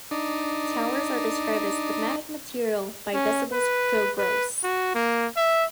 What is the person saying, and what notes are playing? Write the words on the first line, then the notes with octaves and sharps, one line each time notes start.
Towers are described as 'thematic' material by "Decibel"'s Joe Gross.
D4 D#4
C#4
B4
B4
F#4
A#3
E5